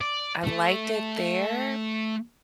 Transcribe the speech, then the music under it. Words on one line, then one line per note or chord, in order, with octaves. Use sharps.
I liked it there
D5
A3